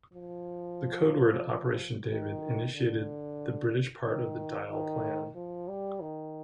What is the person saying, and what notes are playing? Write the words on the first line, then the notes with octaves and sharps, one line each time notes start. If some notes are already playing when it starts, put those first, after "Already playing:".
The codeword "Operation David" initiated the British part of the Dyle Plan.
F3
D#3
D3
D#3
D#3
F3
G3
D#3